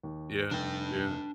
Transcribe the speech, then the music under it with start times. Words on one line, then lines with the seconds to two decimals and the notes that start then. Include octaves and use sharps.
Yeah, yeah.
0.03 D#2
0.51 F1 D4 G5